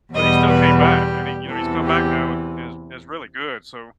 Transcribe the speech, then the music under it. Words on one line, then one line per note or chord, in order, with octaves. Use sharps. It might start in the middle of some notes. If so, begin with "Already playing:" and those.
but he still came back, and he you know, he's come back now, and is is really good, so
E2 B2 G3 B3 D#5
B4
G4
E2 C3 E3 A4
G4